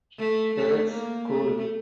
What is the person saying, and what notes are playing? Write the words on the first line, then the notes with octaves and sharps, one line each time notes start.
Peretz School.
A3
A3
A#3
A3